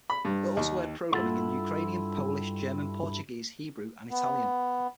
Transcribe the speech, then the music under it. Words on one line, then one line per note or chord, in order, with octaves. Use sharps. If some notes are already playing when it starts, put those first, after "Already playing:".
It also aired programming in Ukrainian, Polish, German, Portuguese, Hebrew and Italian.
B5
G2
D#2
G2 E4 F4 A4 F#5 C6
B3